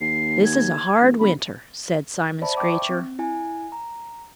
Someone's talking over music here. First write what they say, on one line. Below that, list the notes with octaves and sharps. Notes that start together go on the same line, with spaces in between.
"This is a hard winter," said Simon Screecher.
D#2 C7
G#6
A1
G1 B5
C5 D5 E5 A5 B5
E5 G5 C#6 D6
C4
E4 G#5
A#5